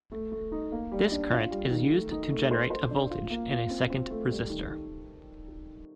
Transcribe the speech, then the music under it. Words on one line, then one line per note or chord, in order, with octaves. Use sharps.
This current is used to generate a voltage in a second resistor.
A3
A3
D#4
A#3
G3
D4
F4
G3
D#3
A3
D#4
A3
C5
C5
D4
F4
A#3
F4
C4
C4
A3
G3
D#3
D#3